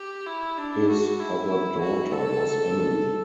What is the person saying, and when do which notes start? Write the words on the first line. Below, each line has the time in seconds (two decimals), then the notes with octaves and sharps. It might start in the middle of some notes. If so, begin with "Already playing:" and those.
His other daughter was Emily.
Already playing: G4
0.26 E4
0.58 D4
0.88 F#4
1.19 E4
1.80 F#4
2.12 A4